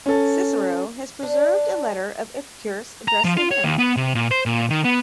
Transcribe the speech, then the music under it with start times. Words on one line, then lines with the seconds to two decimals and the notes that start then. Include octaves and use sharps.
Cicero has preserved a letter of Epicurus addressed to him.
0.06 C#4 A4
1.23 D4
3.08 A#5
3.25 F3
3.37 F4
3.51 C#5
3.64 D#2
3.79 B3
3.97 C3
4.15 A#2
4.31 C5
4.46 A#2
4.70 D#3
4.84 B3